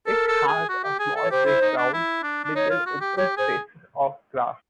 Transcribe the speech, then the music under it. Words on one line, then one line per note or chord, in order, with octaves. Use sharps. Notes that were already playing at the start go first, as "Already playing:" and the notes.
It has a small playground, with an open space of grass.
A4 A#4
A4
G#4
F#4
G4
G#4
A4
C#5
G4 C5
E4
D#4
D4
E4
D4
D4
D#4 C#5
F4
F#4
G4
G4 C#5
G#4 C5